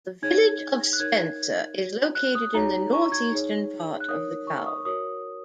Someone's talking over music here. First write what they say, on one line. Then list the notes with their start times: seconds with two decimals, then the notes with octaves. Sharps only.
The village of Spencer is located in the northeastern part of the town.
0.22 D#4 G#4 C#5 G#6
0.93 F#6
0.99 D#4 A#4 C#5 G#6
1.77 F#4 C#5
2.15 F#6
2.35 D#6
2.54 D#4 F#4 C#5 A#5
2.93 C#6
3.12 G#6
3.32 D#4 G#4 C#5
4.00 F#6
4.08 D#4 A#4 C#5 D#6
4.47 C#6
4.66 D#6
4.85 F#4 A#4 C#5 D#6